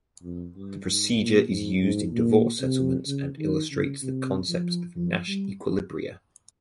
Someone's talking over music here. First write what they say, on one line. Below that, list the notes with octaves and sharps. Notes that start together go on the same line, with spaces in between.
The procedure is used in divorce settlements and illustrates the concept of Nash equilibria.
F2
G2
G#2
A#2
G#2
G#2
A#2
C3
C#3
D#3
C#3
C3
F3
F3
G3